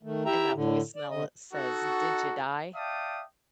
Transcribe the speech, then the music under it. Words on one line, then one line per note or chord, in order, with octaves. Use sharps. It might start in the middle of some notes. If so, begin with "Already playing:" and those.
and that voicemail, it says, "Did ya die?"
D#3 A3
E4 G4 E5 G5 A#5
A2 D3
D5
D3 D#5
D#4 F#4 A4
D5 E5 F5 G5 A5 D#6